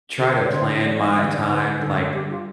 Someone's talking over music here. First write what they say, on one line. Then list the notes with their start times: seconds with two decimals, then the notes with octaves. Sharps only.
try to plan my time, like,
0.20 D2 A4
0.46 D5
0.52 D3 C5
0.84 E2 D5
1.00 E5
1.16 D3 E5
1.33 D5
1.49 D2 B4
1.81 D3 A4
2.13 G2 G4
2.30 F4